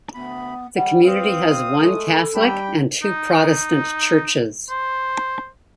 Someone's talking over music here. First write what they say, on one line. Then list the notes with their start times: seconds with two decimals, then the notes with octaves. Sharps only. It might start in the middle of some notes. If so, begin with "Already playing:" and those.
The community has one Catholic and two Protestant churches.
0.14 D2 B3 B5
0.76 G3 F#5
1.05 C4 B4 F5 D#6
1.78 G#3 A3 A4
2.33 D#2 G3 D4 G5 B5 E6
3.03 D#4
4.70 C5